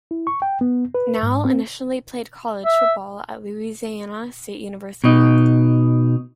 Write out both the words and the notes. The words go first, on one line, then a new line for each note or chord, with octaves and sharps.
Nall initially played college football at Louisiana State University.
E4
C#6
G5
B3
B4
G#2
C4
E5
B2 D#4